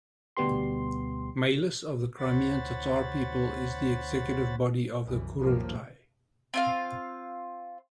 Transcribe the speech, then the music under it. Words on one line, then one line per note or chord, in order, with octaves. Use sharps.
Mejlis of the Crimean Tatar People is the executive body of the Kurultai.
D2 B2 G3 B3 G4 C6
D2 C5 C#5 F#5 B5 A6
C2 F#2 E3
C2 F#2 A2 D#3 F3 A#3
C4 F4 F5